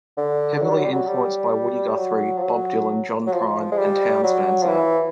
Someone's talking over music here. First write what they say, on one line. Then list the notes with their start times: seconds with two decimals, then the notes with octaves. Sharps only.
Heavily influenced by Woody Guthrie, Bob Dylan, John Prine, and Townes Van Zandt.
0.17 D3
0.62 F#3
0.70 G3
0.77 F#3
0.84 G3
0.92 F#3
1.07 G3
1.98 F#3
2.38 F3
2.43 F#3
3.27 F#3
3.33 F3
3.72 G#3
3.78 G3
4.23 F#3
4.62 F3
4.68 E3